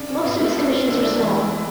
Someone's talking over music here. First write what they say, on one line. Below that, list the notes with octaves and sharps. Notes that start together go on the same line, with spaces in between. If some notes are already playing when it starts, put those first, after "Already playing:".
Most of his commissions were small.
Already playing: C#3 D4
C#4
G#1 B3
A3
D2 D4
D2 E4
D4
E4
E3